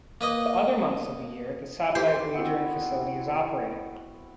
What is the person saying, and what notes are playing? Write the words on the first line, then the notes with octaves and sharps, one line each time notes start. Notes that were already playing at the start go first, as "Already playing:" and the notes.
The other months of the year the satellite wagering facility is operating.
A#3 B4 D#5
G4 C5
B3 C4 E4 F#4